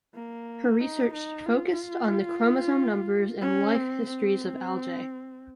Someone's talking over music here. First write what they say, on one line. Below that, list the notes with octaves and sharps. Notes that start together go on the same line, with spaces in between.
Her research focused on the chromosome numbers and life histories of algae.
A#3
D#4
D#4
F4
C#4
C4
C4